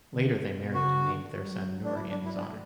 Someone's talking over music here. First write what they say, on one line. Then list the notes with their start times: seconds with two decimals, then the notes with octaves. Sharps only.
Later they married and named their son Nuri in his honor.
0.14 D3
0.45 B2
0.75 C#3 F#4
1.05 D3
1.35 F#3
1.44 G3
1.51 F#3
1.84 D4
1.95 E4
2.10 D4
2.25 E4
2.36 D4
2.40 E4
2.50 A3